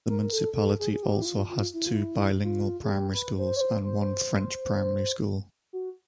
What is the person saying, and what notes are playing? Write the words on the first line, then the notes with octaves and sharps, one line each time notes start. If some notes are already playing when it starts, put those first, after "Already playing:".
The municipality also has two bilingual primary schools and one French primary school.
A#4
A#4
A4
A4
G#4
G#4
G4
E4
F4
F4
E4
F4
E4
F4
G#4
G4
B4
C5
C#5
C5
C5
F#4